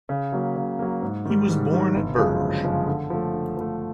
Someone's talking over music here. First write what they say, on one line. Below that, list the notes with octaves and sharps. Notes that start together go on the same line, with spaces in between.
He was born at Bourges.
C#3
F#3 A#3
C#3
F#3 A#3
G#2
D#3 G3
G#2
D#3 G3
G1
F#2 C#3 F3 G#3
G1
F#2 C#3 F3 G#3
D3
F3 A3
D3
F3 A3